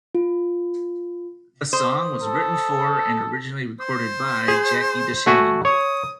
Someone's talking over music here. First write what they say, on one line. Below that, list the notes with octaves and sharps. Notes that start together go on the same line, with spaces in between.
The song was written for and originally recorded by Jackie DeShannon.
F4
C5 D#6
A4
C5
G#4
A3 F#4 G#5
C#5 D#6